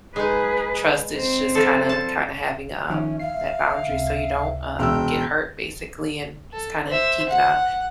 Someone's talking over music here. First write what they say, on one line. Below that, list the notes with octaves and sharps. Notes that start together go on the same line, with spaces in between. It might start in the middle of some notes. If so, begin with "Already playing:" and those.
trust is just kind of, kinda having, um, that boundary so you don't, uh, get hurt basically and just kinda keeping a
G#3 D#4 G#4 B4
C4 C5
F3 G3 A4
A5
D#3 F3 C#4 E5
E5 F5 C7
C#2 C3
E1 G5 E6
A4
C5 E5
F#5